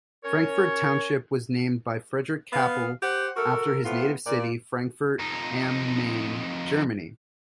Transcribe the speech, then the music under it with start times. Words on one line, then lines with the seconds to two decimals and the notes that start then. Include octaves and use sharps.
Frankfort Township was named by Frederick Cappel after his native city, Frankfurt-am-Main, Germany.
0.24 C#4 A#4 C#5
2.53 B3 F5
3.03 G4 C5 F#5
3.37 F#4 A4 A#4
3.85 A2 C3 B3 F4
4.27 A#2 D5
5.19 F2 D#4